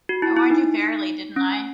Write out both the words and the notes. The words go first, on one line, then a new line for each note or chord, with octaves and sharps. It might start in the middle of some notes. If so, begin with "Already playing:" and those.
I warned you fairly, didn't I?
F#4
E4
E4
D#4
C#4